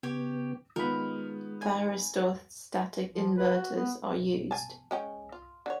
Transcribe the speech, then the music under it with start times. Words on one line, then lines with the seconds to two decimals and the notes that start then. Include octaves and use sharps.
Thyristor static inverters are used.
0.03 C#3 B3 G4 C#5
0.76 D#3 G#3 B3 F4 A#4 B5
1.62 G#5
3.16 F3
3.37 B4
3.55 F#4
3.77 B3
4.51 G#5 A5
4.91 G#3 C#4 G5
5.32 F4
5.66 D3 C#5